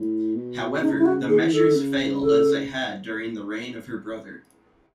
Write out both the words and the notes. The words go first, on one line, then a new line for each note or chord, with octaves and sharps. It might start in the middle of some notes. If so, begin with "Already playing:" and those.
However, the measures failed as they had during the reign of her brother.
Already playing: A2
B2
C#3 D#4
E4
F#4
D#3 G#4
E3
D#3 A4
D#3
C#3
A4